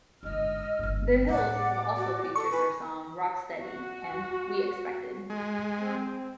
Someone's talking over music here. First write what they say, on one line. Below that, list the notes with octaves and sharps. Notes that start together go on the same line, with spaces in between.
"The Hills" have also featured their song "Rocksteady" and "We Expected".
G1 G#2 D#5 E6 F6
G1 G#2
A2 D5 F#5 D6
F#4
A4 C#6
B4 G#5
F#4
G#3
C4